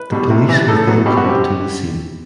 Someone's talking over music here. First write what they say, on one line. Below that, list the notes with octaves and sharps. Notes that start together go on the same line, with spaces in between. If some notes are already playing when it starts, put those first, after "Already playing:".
The police was then called to the scene.
Already playing: B4
B2 G3
C3
E3 G3
A2 A4
F#3 B3
B2 G4
F#4
G3 C4 G4